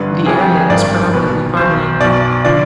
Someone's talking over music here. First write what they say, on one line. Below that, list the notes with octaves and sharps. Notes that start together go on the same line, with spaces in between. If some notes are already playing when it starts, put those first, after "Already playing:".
The area is predominantly farmland.
Already playing: G1 G2 D3 B4
F1 F2 C3 G#4
G4
G#4
G#1 G2 D#3 D5
B1 B2 B4
B1 B2 C5
B1 B2 D5
D3 F3 D5